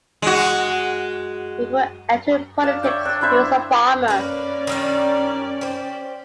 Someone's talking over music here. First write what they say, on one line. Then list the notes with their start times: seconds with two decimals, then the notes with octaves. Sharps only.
Before entering politics, he was a farmer.
0.22 G#3 F#4
2.63 D4 F5 A5
2.83 C#5 D5 E5 G5
3.05 D4 E6
3.21 D4 E4 C5 E5
4.08 A#3 C#4 B4 D5
4.67 D#3 G3 D4
5.61 G4 C5